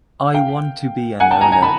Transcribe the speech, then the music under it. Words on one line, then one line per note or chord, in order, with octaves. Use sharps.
I want to be an owner.
F5 G5
F#5 G#5
G5 A5
G#5 A#5
G#5 A#5
A5 B5